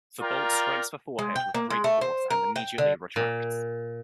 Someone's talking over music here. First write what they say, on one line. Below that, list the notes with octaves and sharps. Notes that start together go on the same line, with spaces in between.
The bolt strikes the forehead with great force and immediately retracts.
F4 A#4 D5 G5 A#5
G#3
G5
A#3
G#3
A3
C5
A#4
G5
D3
A#2